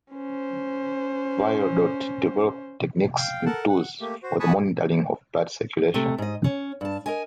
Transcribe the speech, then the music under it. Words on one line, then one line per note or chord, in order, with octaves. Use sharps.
Vierordt developed techniques and tools for the monitoring of blood circulation.
C#4 C5
F5 G5
A4 A#4 F#5 A5
F#5
A3 A#3 G4
F#4 C5
G#5 A5 B5 C#6 D#6 F#6
C3 A3
G#2 D#5
C#4
G2 A5
A#4 D#5 G#5